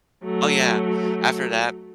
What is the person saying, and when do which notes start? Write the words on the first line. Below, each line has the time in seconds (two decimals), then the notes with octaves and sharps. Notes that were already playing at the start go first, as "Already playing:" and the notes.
Oh, yeah. After that,
0.24 F#3 A3